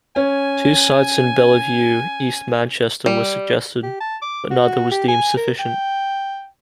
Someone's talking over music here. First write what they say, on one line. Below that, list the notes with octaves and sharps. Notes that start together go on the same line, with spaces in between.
Two sites in Belle Vue, East Manchester were suggested, but neither was deemed sufficient.
C#4 G#5
G3
G4
A5
D6
F#4
G4
G#5
A#4
G5